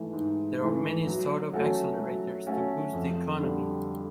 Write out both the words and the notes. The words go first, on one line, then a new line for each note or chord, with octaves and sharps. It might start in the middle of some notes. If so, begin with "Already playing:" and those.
There are many startup accelerators to boost the economy.
Already playing: G#2 E3 A3
G#2
E3 A3
F#3
A3 C#4 F#4 A4
F#3
A3 C#4 F#4 A4
F2
D3 G3